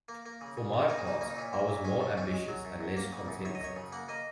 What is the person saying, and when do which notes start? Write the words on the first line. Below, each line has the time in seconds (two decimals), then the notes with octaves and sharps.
For my part, I was more ambitious and less contented.
0.08 A#3
0.26 A#3
0.41 C#3
0.57 C#3
0.74 C#3
0.88 A#3 D#4
0.98 C#4
1.05 C#3 D#4
1.21 A#3 C#4
1.30 D#4
1.37 A#2 C#4
1.53 A#3
1.69 A#2
1.85 G#3 C#4
2.01 G#2
2.17 G#2 C#4
2.33 G#3
2.48 F#3
2.65 F#2
2.81 F#2
2.97 A#3
3.13 C#3
3.28 F#2
3.45 F#2 C#5
3.55 D#5
3.61 F#2 C#5
3.76 C#3
3.92 A#3 F#5
4.08 A#3 D#5